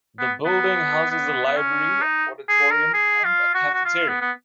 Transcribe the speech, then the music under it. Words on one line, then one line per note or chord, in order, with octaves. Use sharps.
The building houses a library, an auditorium and a cafeteria.
B3
B3
B3
B3
C#4
D#4
G#4
A#4
G#4
F4
F#4
F#4
F4
B3
B3